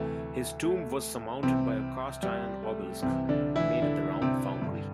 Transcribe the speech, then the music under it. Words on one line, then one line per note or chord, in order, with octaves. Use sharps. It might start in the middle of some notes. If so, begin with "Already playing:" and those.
His tomb was surmounted by a cast iron obelisk made at the Round Foundry.
Already playing: D2 C3 E3 A3
A3
C2 C3 E3 C4
G3
A3
C2 C3 E3 C4
D3 D4
E3 E4
D3 D4
C3 C4
G2 D3